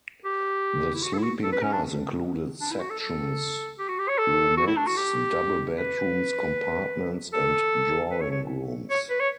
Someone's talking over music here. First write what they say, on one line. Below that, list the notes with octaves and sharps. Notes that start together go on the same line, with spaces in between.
The sleeping cars included sections, roomettes, double bedrooms, compartments, and drawing rooms.
G4
E4
F#4
A4
E4
F#4
A4
B4
C#4
D4
D4
E4
F#4
A4
A4
G4
F#4
G4
C#5
A4
F#4
E4
D4
F#4
G4
B4
A4
B4
C#5
C#5
C#5
B4
C#5